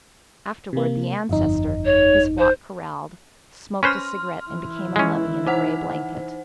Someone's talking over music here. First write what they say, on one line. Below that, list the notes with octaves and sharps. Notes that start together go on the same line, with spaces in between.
Afterward, the ancestor, his flock corralled, smoked a cigarette and became a mummy in a grey blanket.
C3 A#3
G1 F2 D#4
C#5
C5
C#4 B4 C5 C6 F6
E3 E4
G#3 C#4
D#4 C5 F#5